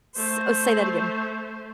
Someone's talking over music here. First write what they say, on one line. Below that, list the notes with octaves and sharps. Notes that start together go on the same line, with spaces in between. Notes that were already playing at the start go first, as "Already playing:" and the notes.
S Oh, say that again.
A3 C5